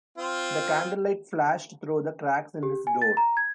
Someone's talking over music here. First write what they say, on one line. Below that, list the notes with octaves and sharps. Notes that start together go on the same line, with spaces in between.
The candlelight flashed through the cracks in his door.
C4 F4
G4
G#5
A6
A#5
G#6